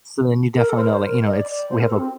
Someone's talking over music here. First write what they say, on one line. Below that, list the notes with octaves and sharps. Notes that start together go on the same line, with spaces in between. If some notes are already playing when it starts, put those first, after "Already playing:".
So then you definitely know, like, you know, it's we have a
A#4
A4
C5
A#4
D5
C5
A#4
D#5
D5
D5
C5
A#4
A4
C4